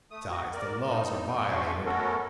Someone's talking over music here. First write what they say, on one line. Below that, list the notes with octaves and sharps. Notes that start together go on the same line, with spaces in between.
Besides, the laws are violated.
A3 D#6
F#4
A#4 D5
A2 D#4
C#4 D4 F#4 E5 C6 C#6
A3 B3 C#4 F#4 A4 A#4